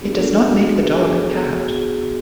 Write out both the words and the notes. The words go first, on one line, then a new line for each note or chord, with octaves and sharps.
It does not make the dog a cat.
B3 D4 F#4 G#4
A4
A4
F#4
G#4
F#4
G#4
B3 F#4
F#4
G#4